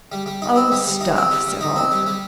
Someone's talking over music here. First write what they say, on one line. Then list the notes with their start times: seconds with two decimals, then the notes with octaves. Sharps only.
"Oh, stuff!" said Oliver.
0.12 G3
0.26 G3
0.42 D#4
0.56 C4
0.71 G3
0.86 G3
1.01 D#4
1.16 C4
1.31 G3
1.46 G3
1.61 D#4
1.76 C4
1.91 G3
2.07 G3